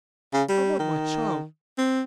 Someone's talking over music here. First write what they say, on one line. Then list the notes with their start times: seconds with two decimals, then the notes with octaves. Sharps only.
I want my child!
0.33 C#3
0.49 G3
0.80 D#3
1.78 C4